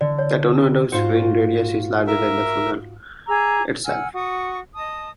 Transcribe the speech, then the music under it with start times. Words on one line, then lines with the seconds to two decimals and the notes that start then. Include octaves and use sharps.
The tornado's wind radius is larger than the funnel itself.
0.01 D3 D5
0.19 C#5
0.92 G#2 F4 F#4 C5 C#7
2.07 A#4 E5
3.28 G#4 A#5 D6 E6
3.85 F#5 G#5 E6 F6
4.14 F#4 C#6 D#6
4.75 D#5 A5 D#6